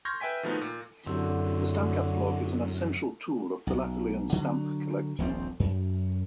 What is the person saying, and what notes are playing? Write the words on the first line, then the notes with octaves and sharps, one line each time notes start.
The stamp catalog is an essential tool of philately and stamp collecting.
C6 C#6 F6 G6 G#6 A#6
B4 E5 G5 G#5 B6
B2 D#3 F3 A3 B3 D#4
A#2
F#2 D3 F#3 C4 E4 G4
B1
D3 F#3
D#1 A#1 F3 C4
F#2